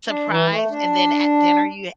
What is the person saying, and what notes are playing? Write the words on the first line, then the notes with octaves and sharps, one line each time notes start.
"Surprise," and then at dinner, you
D4
E3
A3
D4